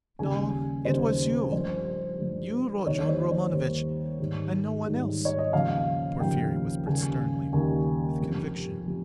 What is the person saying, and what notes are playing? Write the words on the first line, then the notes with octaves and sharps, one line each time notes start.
"No, it was you, you Rodion Romanovitch, and no one else," Porfiry whispered sternly, with conviction.
D#2 C#3 G3 G#5
D#2 C#3 G3 C5
G2 F3 C5
G2 F3
D#2 D#3 G3 C#5
C5
C#5
D#2 D#3 G3
G#2 D#3 G3
G#2 D#3 G3
C#5
D#5
D#2 C#3 F3 F5
D#2 C#3 F3 G5
D#2 C#3 G3 G#5
D#2 C#3 G3 G#5
F2 C3 F3
C3 F3